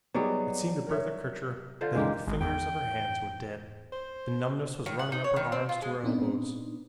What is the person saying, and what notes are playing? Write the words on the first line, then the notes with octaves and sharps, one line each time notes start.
It seemed to Bertha Kircher that the fingers of her hands were dead. The numbness was running up her arms to her elbows.
F#3 G3 B3 D#4 G#4
A#4 C#5 E5
D3 F4 C5
C#2 D#3 E3 G#3 G4 A#4
G#1
E2 G5
C5
D#3
F#5
D#4
C#5
D#3
C4
F4
G#3
A#2 B3 C4 D4 D#4